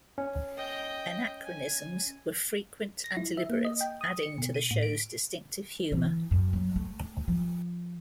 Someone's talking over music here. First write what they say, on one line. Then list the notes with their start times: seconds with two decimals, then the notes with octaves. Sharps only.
Anachronisms were frequent and deliberate, adding to the show's distinctive humour.
0.18 C#4
0.57 D#5 G5
1.45 G#5
3.04 A#6
3.17 E4
3.37 E5
3.50 A#3
3.65 D#5
3.81 G5
4.01 D#6
4.23 C#7
4.38 B2
4.54 D#7
4.71 A2
4.83 D7
5.92 E3
6.31 F#2
6.53 F#3
6.76 A3
7.28 F3